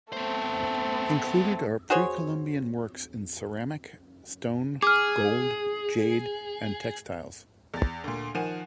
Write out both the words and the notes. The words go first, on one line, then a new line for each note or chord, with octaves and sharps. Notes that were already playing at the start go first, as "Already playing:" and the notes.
Included are pre-Columbian works in ceramic, stone, gold, jade and textiles.
A3 B3 C4 C5
F#4 G#4 C5 C#5
G#4 D6 F6
E2 A6
D2 A#2
D#3 F3 F#5 G#5 D#7 E7